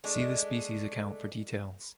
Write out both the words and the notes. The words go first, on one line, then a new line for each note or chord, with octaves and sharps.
See the species account for details.
G#3 A3 D4